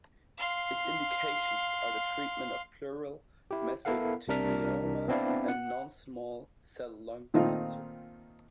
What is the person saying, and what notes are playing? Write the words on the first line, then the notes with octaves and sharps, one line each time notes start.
Its indications are the treatment of pleural mesothelioma and non-small cell lung cancer.
F5 C6
E4 G4
B3 E4 A4 A#4 F5 F#5
C2 C3 D4 A#4 F6 B6
B3 C4 D4 E4 D5 F5
F#5
A#2 D#3 A3 C4 D#4 F4